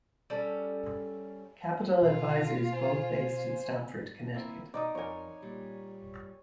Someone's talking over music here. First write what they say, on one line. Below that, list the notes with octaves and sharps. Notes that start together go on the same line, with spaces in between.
Capital Advisors both based in Stamford, Connecticut.
G3 C#4 A4
B2 F4
C5 G#5
A#3 C4 E4
B2 D#4 D5 A#5 D#6
F2 A#4 C#5 G#5
A#2 G3